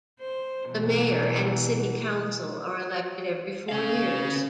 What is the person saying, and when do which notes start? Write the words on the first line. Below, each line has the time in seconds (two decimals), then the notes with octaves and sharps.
The Mayor and City Council are elected every four years.
0.20 C5
0.67 B2 E3 F#3
3.69 C#4 F5